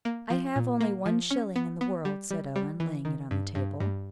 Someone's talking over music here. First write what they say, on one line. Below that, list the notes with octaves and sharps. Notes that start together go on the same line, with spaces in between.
"I have only one shilling in the world," said Ellen, laying it on the table.
A#3
F3
A#2
A#3
F3
C#4
B3
B3
G3
G3
G3
E3
D#3
G2
G2
G2